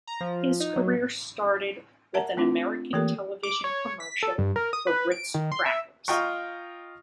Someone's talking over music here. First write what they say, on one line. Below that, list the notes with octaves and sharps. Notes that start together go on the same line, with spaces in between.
His career started with an American television commercial for Ritz Crackers.
A#5
F3
D#4
F#3
A#4 E5 F#5 A5 A#5
A3 C4 D4 F4
E3 A3 A#3 G4 A4 A#4
D6
C#5
B6
A4
G2
A#4
D#6
B4
D7
D#3
C6
E5
F4 D#5 G5 A#5 C#6